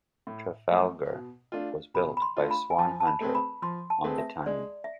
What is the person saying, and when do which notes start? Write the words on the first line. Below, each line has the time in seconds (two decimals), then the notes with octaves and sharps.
"Trafalgar" was built by Swan Hunter on the Tyne.
0.27 A2
0.69 F3 A3
1.11 B2
1.52 A3 D4 F4
1.94 B2 B5
2.17 B5
2.22 C6
2.37 A3 D4 F4
2.51 B5
2.70 G#5
2.78 F3 A5
3.00 A5
3.07 B5
3.20 A3 C4 G#4 B4
3.35 B5
3.62 F3 C6
3.90 A5
4.04 A3 C4 G#4 B4
4.18 E5
4.46 G#3 D5
4.84 E5